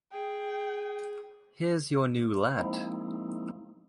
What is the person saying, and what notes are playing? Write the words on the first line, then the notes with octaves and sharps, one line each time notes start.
Here’s your new lad.
G#4 G5
F3 G#3 A#3 C4 D#4 E4